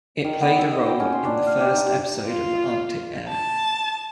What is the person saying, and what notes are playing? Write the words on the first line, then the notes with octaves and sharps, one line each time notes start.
It played a role in the first episode of "Arctic Air".
D#3
B3
E5
D#5
G5
C#4
C6
D4
F5
G4
D#4
G4
F4
A5